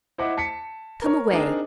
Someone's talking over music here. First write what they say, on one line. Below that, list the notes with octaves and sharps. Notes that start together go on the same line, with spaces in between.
Come away.
E4 C5 D#5 E5 F#5 D6
A5 B6 C#7
A#4 C#5
C4 D4 D#4 G#4 A#4